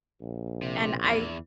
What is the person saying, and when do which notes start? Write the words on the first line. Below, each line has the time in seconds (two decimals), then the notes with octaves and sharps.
and I
0.21 A#1
0.62 C3
1.04 E2 E3